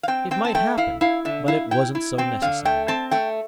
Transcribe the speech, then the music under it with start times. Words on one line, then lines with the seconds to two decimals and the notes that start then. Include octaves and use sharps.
It might happen, but it wasn't so necessary....
0.03 F5
0.08 C4 G5
0.31 C4 G5
0.45 A5
0.55 A3 G5
0.78 E4 F5
1.01 E4 F5
1.25 D3 E5
1.48 E4 F5
1.71 E4 G5
1.95 E4
2.18 C4 G5
2.42 D3 F5
2.65 A3 G5
2.88 C4 A5
3.11 A3 G5